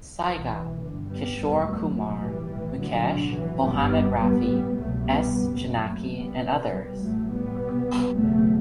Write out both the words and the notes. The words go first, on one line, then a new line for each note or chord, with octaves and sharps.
Saigal, Kishore Kumar, Mukesh, Mohammed Rafi, S. Janaki and others.
C2 B2 E3
G1 G2 D3
G3 B3
F#1 E2 B2 G3 B3
F#3 A3
B1 A2 F#3 A3
E3 G3
A1 A2 E3
D3 F#3
B1 A2 D3 F#3
E3
G1 F#2 G3 B3
A1 A2 G3 B3
C2 B2 F#3 A3
G3 B3
F#1 F#2 G3 B3
F#3 A3
F#1 F#2
G3 B3
C2 B2 G3 B3
A1 A2 F#3 A3
G3 B3
C2 B2
F#1 E2 B2 F#3 A3